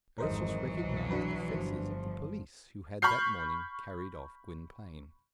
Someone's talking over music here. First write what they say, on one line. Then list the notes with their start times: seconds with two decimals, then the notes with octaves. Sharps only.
Ursus recognized the faces of the police who had that morning carried off Gwynplaine.
0.18 G#1 F2 E3 F#3 A#4 C5 D#5
0.78 C2 B2
1.11 D4 F#4 B4
1.48 G1 F3
3.02 B5 C#6 F6 G6 C7